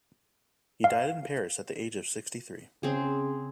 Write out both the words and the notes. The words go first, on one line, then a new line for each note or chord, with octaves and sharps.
He died in Paris at the age of sixty three.
F5
C#3 C4 G#4